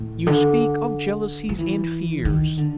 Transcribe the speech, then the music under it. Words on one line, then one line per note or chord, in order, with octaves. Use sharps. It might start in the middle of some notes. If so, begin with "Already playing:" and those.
You speak of jealousies and fears.
Already playing: A2
D3
F3
E3
D#3
D3